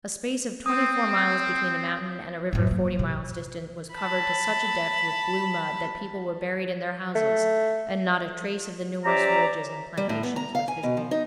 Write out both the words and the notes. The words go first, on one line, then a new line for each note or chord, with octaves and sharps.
A space of twenty-four miles between the mountain and a river forty miles distant was covered to such a depth with blue mud, that people were buried in their houses, and not a trace of the numerous villages and plantations was visible.
C4 D#6
F#2 A2
F#3 A#3
C3
A5 B5
A3
C#4 G4 C5 D5 E5 A#5
G3
A2
B3
A#5
F5
G#5
B2
F3
D#4